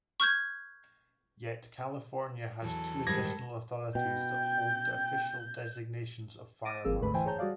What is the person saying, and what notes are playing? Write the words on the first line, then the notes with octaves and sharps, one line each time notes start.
Yet, California has two additional authorities that hold the official designations of Fire Marshal.
C#6 F6 G6 G#6
E2 E3 F#3 A4
G#2 D#3 G3 G#6 A#6
B2 G5 G6
D6 A6 A#6 D7 D#7
G1 F3 A#3 C4 G#4 E6
D2 G#2 D3 A3 B4 B5
E3 C5 E5 G5 G#5
G#4 C#5 A5 A#5 G6
G3 F#4 G#4 D5 F5